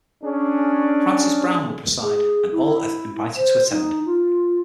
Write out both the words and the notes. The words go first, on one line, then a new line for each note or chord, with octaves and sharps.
Frances Brown will preside; and all are invited to attend.
C#4 D4 G#4
G#4
E4
C5
D#4
F4